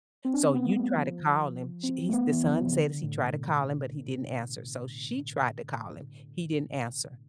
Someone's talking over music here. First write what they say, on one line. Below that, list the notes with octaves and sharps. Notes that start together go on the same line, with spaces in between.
So you try to call him." She he's the son said he tried to call him, but he didn't answer. So she tried to call him. He didn't answer.
C4
D4
C4
B3
A3
G3
F3
C4
A3
B3
E3
F3
C3
D3
A2
B2